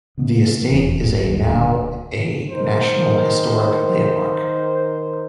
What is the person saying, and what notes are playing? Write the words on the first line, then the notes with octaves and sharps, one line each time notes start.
The estate is a now a National Historic Landmark.
C#3 B3
D#1 E2
G#1
D#2
D1 D2 D4
D#3 A#4 C5